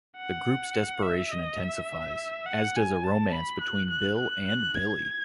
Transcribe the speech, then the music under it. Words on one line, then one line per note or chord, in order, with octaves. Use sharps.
The group's desperation intensifies, as does a romance between Bill and Billie.
F#5
E5
D#5
E5
F#5
G#5
A5
B5
F#6
F#6
F#6
F#6
G#6